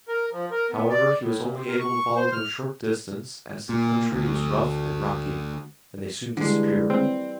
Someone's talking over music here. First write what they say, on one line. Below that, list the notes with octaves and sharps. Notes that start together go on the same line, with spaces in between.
However, he was only able to follow them a short distance, as the country was rough and rocky, and they soon disappeared.
A#4
F3
A#4
B3
D5
A2
A#2
C4
A#4
C#6
C5
F6
A#2
D2
D3 E3 G3 G#3
C4